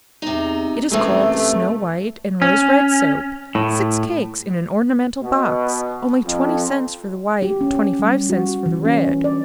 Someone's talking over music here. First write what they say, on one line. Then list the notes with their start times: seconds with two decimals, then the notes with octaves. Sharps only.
It is called the Snow-White and Rose-Red Soap, six cakes in an ornamental box, only twenty cents for the white, twenty-five cents for the red.
0.22 E2 C3 D#4
0.91 F#2 C3 E3 G#3 A3
2.42 C#4
3.55 A2
5.20 B2
6.25 F2
7.42 G4
7.61 C#4
7.99 G3
8.30 F#4
8.66 E3
8.85 C#4
9.24 D5